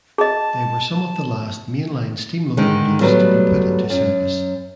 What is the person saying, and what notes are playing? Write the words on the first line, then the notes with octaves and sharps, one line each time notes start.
They were some of the last mainline steam locomotives to be put into service.
G#4 D#5 A5
D3 D#3 G#3 D#4
A2 F#3 G3 A3 B3
F#2